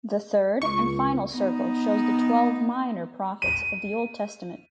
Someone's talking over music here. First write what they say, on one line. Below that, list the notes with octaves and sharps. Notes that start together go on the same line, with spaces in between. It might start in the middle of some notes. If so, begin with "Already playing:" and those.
The third and final circle shows the twelve minor prophets of the Old Testament.
C#2 C#6
B3 D#4
D#7